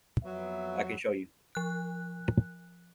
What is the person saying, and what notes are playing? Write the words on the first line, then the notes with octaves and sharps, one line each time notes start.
I can show you.
F2 F#3 B3 E5
F3 F#6